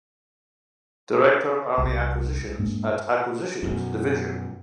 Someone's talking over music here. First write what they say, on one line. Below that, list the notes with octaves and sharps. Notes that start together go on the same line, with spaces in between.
Director Army Acquisitions at Acquisitions Division.
C2
G#2 G#3 A#3 D4
F#2 B2